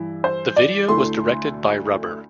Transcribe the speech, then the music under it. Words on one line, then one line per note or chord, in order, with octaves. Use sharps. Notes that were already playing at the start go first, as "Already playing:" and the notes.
The video was directed by Rubber.
Already playing: G2 E3 E4
C5
D5
D2 D3 A3 E4 C6